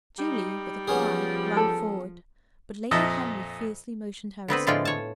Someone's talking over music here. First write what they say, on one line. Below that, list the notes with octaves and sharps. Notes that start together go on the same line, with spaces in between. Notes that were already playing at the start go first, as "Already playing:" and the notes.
Julie, with a cry, ran forward, but Lady Henry fiercely motioned her aside.
G3 D#4
F3 B3 C#4 G#4
A4
F2 A#2 D#5 E5 A5 D#6
D3 B3 C4 B4
A2 D3 G#3 F4 D5 G5
C#5 A5